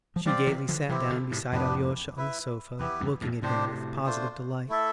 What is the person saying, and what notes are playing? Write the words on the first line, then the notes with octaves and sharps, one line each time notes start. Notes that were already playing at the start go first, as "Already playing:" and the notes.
She gayly sat down beside Alyosha on the sofa, looking at him with positive delight.
F3
E3 G3 C4 G4 D5 F5
C3 E3
D3 F3
C3 E3 C4 E4 G4
B2 D3
A2 C3
F2 A2 B3 D4 G4 B4
E4 B4 E5
E2 B3 E4 G4 B4
E2 G2
F2 A2
A2 C3 D4 G4 C5
A3 D4 F4 C5
A3 E4 A4 E5